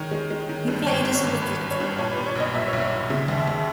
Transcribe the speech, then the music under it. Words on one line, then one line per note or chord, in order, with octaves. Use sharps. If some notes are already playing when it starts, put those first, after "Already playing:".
He played as a wicket-keeper.
Already playing: D#3 G#3 C#5
G#3
G#3
D#3
G2
G#1 C#5
G#1
C#5
G#1
G#1 B4
G#1
C#5
G2
A#2 C#5
B4
A#2
C#5
B1 D#5
A#2 E5
C#5
B1
C#5
A#2
C#3 E5
D#2
E5
D#2